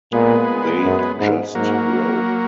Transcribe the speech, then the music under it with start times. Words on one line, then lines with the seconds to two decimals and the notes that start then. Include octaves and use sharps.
They just roam.
0.12 A#2 G#3 B3
0.84 F#2
1.19 G#2
1.55 G#2 F#3 A#3